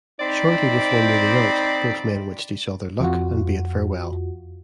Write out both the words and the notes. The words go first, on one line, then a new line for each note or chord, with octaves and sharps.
Shortly before moving out, both men wished each other luck and bade farewell.
C4 D#4 C5 D5 B5
F2 F4 F#4